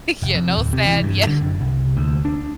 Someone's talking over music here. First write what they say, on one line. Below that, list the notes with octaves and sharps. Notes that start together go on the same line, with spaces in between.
Yeah, no sad. Yeah
F1
F2
D1
C3
E3
G2
D3
F#1
C2
D2
D4